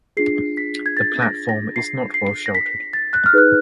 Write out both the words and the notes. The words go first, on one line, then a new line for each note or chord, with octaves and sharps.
The platform is not well sheltered.
D4 F4 G#4 C7
B6
G#6
A6
A#6
A#6
C7
C7
A#6
B6
A6
F#6
F6
D#4 G#4 B4 F#6